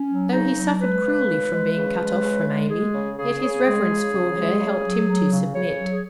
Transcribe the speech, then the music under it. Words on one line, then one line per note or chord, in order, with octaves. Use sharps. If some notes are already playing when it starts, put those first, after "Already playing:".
Though he suffered cruelly from being cut off from Amy, yet his reverence for her helped him to submit.
Already playing: C#4
F#3
C#3 D#4
F#3
G#3 B4
C#3
G#3
G#3
C#3
G#3
C#3
G#3
G#3 G#4
C#3
C#3 G#4
C#3
G#3
C#3
C#3
G#3
C#3
F#3
F#3
C#3
C#3 C#5
F#3
G#4